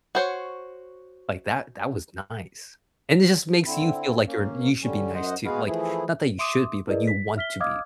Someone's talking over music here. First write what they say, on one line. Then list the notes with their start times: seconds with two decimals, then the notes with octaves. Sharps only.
like, that that was nice, and it just makes you feel like you're you should be nice too, like, not that you should be, but you want to be,
0.15 F#4 C5 C#5
3.66 D3 C4 E4
4.27 A#3 C#4
4.83 D3 G3 C#4
5.14 F#2 C5 D#5 F#5
5.45 G#3 B3 F#4 G#4 B4 F5
5.67 E3 F3 A3 E4 G#4
6.39 E5 C6 D6 D#6
6.87 E4 G#4 A#4 B4 D5 D#5
7.07 B6
7.37 E5 F6 B6 G7
7.60 D#5 F5 D6 D#6 F6 G#6